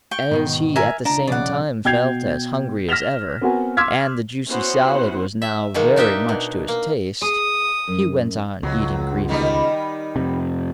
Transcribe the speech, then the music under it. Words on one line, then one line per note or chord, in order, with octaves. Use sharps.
As he at the same time felt as hungry as ever, and the juicy salad was now very much to his taste, he went on eating greedily.
G5 C#6
G#2 B2 D#3
A#4 E5 G#5
C#2 D4 A#5
B1 E2 C#3 D5 F#5
B2 G5 G6 G#6 C7 F7
F6 A#6 B6 E7 F7 G7
B3 C4 F#4 A#4 F#5 G#5
C6 D6 E6 F6 G#6 B6
B3 C#4 E4 F#4 C5 F#5
E5
B2 D#3 G#3 A#3
D4 D#4 G4 E5
B2
A#3
G#4 D#6
F#2
C#2 F#3
D#3 G3 D#4
F2 C3